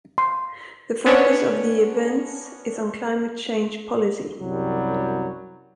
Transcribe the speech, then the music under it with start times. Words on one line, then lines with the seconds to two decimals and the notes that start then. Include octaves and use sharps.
The focus of the events is on climate change policy.
0.18 C6
1.06 B3 C#4 D4 C#5
4.40 C2 F#2 C3 F#3 G3